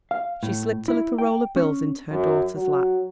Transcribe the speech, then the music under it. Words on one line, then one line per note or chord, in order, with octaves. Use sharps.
She slipped a little roll of bills into her daughter's lap.
F5
A2
E4
G5
C#4
F#2
F#3